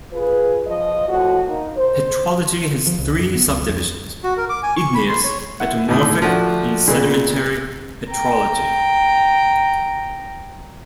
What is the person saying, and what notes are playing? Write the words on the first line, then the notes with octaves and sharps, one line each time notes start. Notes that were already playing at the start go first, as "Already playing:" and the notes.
Petrology has three subdivisions, igneous, metamorphic, and sedimentary petrology.
F4 G#4 B4
F3 D#5
A2 F3 F#4
A#3 D#4
C5
F3
C2
F#2
B3
C#2
F2
F#4
A#4
D6
G#5
C#6
B5
C6
C#5
E4 F#5
D#2 A2 D#6
F3 A3 D4 F#4
A#2 C#3 G#3 B3
G5 A#5